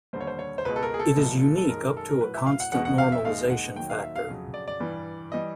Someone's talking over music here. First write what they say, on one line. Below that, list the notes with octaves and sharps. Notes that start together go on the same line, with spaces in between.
It is unique up to a constant normalization factor.
D#2 D3 G3 C5
C#5
C5
C#5
C5
C#2 B2 G#3 B4
A4
A#4
G#4
A4
C2 A#2 F3 G#3
A4
F#2 D#3 G#3 A#4
A4
A#4
A2 F#3 B4
E5
F5
F#5
E2 B2 G#3 F#5
F#5
F5
E5
D#2 D#3 G#3 F5
F#5
D#2 D#3 F#3 G5
F5
E5
F5
F2 C#3 F#3
D5
D5
G2 E3 G3
E3 G3 D#5